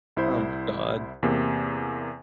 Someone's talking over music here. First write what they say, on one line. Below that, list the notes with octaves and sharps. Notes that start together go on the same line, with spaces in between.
Oh, my god.
C2 E4 C5
E2 C3 A#3